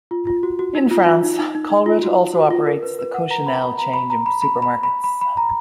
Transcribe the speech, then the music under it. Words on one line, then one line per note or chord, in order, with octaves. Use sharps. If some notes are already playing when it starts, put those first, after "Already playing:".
In France Colruyt also operates the Coccinelle chain of supermarkets.
F4
F4
F#4
F#4
D#4
F4
F4
D#4
D#4
D#4
D#4
F4
F#4
F#4
F4
A#4
B4
B4
F#5
A#5
B5
B5
A#5
B5
A#5
B5
B5
B5
B5
B5
B5
A#5